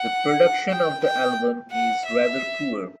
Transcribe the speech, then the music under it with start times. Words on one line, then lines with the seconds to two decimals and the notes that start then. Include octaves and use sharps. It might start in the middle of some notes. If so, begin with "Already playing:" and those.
The production of the album is rather poor.
Already playing: F#5
0.70 G5
1.04 G5
1.72 F#5
2.06 E5